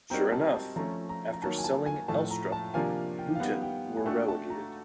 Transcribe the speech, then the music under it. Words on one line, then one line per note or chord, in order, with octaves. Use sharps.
Sure enough, after selling Elstrup, Luton were relegated.
G3 C4 D#4 F#4 A#4 A#5
A5
A5
F3 A3 C#4 A#5
A#5
A#5
D#3 F#3 A#3 A5
G#5
A5
G#5
A2 F3 A3 A5
A#5
A5
C3 F3 A#3 D4 F4 G#5
G5
F5
D#3 G3 B3 F#5
G5
G#5
A3 D4 F#4 A4 G5
A5
A#5